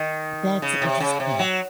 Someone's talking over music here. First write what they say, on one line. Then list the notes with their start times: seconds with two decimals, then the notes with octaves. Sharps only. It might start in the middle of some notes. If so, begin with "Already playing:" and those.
That's interesting,
Already playing: D#3
0.62 C#3
0.82 C3
1.00 C#3
1.20 C3
1.39 F#3